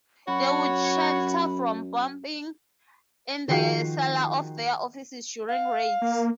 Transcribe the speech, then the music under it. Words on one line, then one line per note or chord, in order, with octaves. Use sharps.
They would shelter from bombing in the cellar of their offices during raids.
F#2 F#4 C#5 B5
D#3 F3 F#4 G#4 G5 C7
F5
A#3